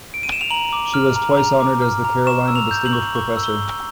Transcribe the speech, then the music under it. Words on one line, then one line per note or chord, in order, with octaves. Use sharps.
She was twice honored as the Carolina Distinguished Professor.
D7
D#7
E7
F7
A#5 F#7
D6
F6
A#5
A#5
D6
F6
A#5
C#6 E7
E6
F7
G6
F#7
C#6
C#6
E6
G7